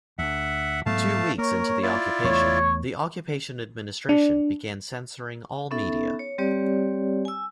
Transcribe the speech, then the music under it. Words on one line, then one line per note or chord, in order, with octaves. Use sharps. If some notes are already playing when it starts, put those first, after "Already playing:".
Two weeks into the occupation, the Occupation administration began censoring all media.
D2 E5 F#5
G#2 F#3 A3 B3 F5 A5
A#3 A#4 C#5
E4 F4 D5
E2 A3 C#5
D4
B3 C#4 D#4 A4 E5
C#5
G3 C4 G4 C#5 D5
G#5 E6